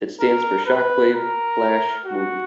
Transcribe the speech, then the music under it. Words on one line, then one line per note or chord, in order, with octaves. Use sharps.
It stands for Shockwave Flash Movie.
A#4
B4
A#4
F#4